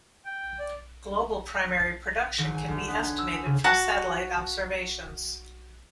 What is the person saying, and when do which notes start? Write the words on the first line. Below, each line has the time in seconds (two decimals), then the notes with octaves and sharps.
Global primary production can be estimated from satellite observations.
0.24 G5
0.59 D5
2.38 G#1
2.54 G#5
2.68 D2
2.88 B3
3.03 G#6
3.18 E6
3.31 G#5
3.45 C#3
3.64 F#4 A5